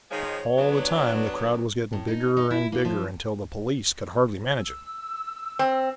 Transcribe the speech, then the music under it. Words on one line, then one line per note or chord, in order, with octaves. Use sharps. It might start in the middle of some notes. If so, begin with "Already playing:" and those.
And all the time the crowd was getting bigger and bigger, until the police could hardly manage it.
D#3 F3 G#3 C#5
F#3 B3 D4
A2
D#4
D#4
E4
A#3
F3
E6
C4